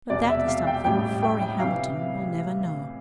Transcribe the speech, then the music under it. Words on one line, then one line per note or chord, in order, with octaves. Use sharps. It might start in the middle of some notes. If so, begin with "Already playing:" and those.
But that is something Florrie Hamilton will never know.
E1 E2 C3 D5
E5
F5
G5
A1 A2 G3 G5
G5
G5
C3 E3 F5